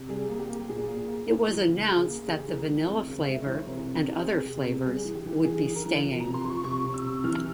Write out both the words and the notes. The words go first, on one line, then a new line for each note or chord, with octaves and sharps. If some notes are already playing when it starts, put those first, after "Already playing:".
It was announced that the Vanilla flavor and other flavours would be staying.
Already playing: C3
G3 G#4
A#3
G4
A#3
A#2 G#4
A#3
A#3
A#3
E3
C#3
C#3 G#4
A#3
G#4
C#3 G4
G#4
E3 A#4
G#3
C4
C#3
G#3 E5
E3 C#5
C5
C3 A#4
C3
C4
G4
C4 G#4
C3
C3
G3 G#4
E3
G4
E3
E3 G#4
E3
A#4
E3
F3
C3 A#5
C6
F3
C#6
C3 C#6
C3
E6
C3
E3 F6